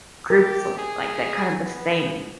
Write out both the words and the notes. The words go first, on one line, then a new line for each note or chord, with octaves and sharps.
groups, like, that kind of the same
G4 A#4
G#4
B3